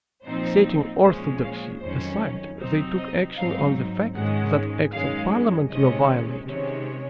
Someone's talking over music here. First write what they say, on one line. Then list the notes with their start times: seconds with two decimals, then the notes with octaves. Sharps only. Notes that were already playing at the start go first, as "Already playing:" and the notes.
Setting orthodoxy aside they took action on the fact that Acts of Parliament were violated.
0.25 A#2 F3 C4 D#4 C5
1.03 A#2 F3 G#3 C#4 C5
1.42 F5
1.80 F2 D#3 F#3 C#4 C5
2.58 C3 F#3 C4 D#4 C5
2.97 D#5
3.36 G#2 F#3 C4 D#4 F5
4.14 G#2 D#3 G#3 C#4 F#5
4.92 F#2 D#3 G#3 C#4 F5
5.69 C3 D#3 G#3 C#4 D#5
6.47 C3 D#3 G#3 C#4 C#5